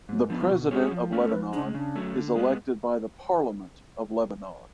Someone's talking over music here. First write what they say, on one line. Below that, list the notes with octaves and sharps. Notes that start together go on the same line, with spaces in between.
The President of Lebanon is elected by the Parliament of Lebanon.
G#2 F#3
F3 B3 D4
F4
B2 F#4
G#3 C#4 F#4 G#4 C#5
F3
A3 C#4
A4
F2 B4
C#3 G#3 D4
C#3 D4
F#3 A3 C#4
D3
G#3 B3